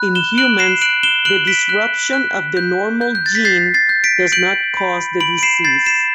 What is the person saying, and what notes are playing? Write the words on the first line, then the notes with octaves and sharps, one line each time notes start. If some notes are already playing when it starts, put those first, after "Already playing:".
In humans the disruption of the normal gene does not cause the disease.
Already playing: B5 F#6
E7 G7
F#6 D7 F#7
C7 E7
F#6 D7 F#7
E7 G7
F#6 D7 F#7
B6 D7
F#6
F#6
G6
G6
G6
A6
B6
G6 A6 C7
A6 C7
G6
B6 D7
G6 D7 F#7
B5
B5 D7 F#7
D7
C7 E7
G6 A6 C7
C7 E7